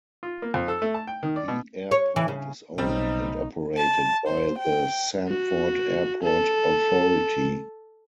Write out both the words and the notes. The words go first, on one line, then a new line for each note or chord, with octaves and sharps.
The airport is owned and operated by the Sanford Airport Authority.
F4
A#3
F2
A4
A3
A5
G5
D#3
D5
B2
C#5
E3
C#3
B1 C#3 G3 C4 D#4
A5
C5
G5
F#4
A4